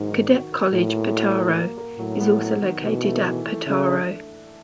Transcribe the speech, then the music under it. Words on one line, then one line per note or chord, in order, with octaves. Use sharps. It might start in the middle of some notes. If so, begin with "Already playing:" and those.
Cadet College Petaro is also located at Petaro.
Already playing: G#2 D#3 F#3 A#3
D#3
F#4
A#4
A2 F#4
A#3
F#4
A#3
A#3
A#3
A2 F#3
B3
F#3
D#3
B2 E3
A3
E3
A3
C#3 A3
D4